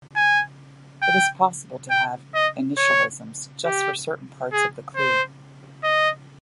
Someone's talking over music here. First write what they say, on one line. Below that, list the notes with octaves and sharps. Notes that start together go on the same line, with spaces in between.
It is possible to have initialisms just for certain parts of the clue.
G#5
G5
G5
D#5
C#5
G4
G#4
C5
D#5